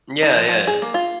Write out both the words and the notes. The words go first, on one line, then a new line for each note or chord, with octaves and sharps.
Yeah, yeah.
D#4
F3
F3
G#4
A#3
F4